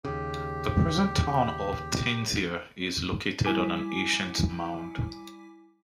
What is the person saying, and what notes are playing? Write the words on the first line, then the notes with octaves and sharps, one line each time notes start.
The present town of Thanesar is located on an ancient mound.
D#2 C#3 G4
G3 E4 G#5 D6 B6